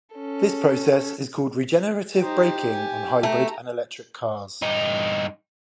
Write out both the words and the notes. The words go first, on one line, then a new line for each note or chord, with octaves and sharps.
This process is called regenerative braking on hybrid and electric cars.
C#4 A4
D#4 G4 C5
G#5
A3 A#5
G2 D#4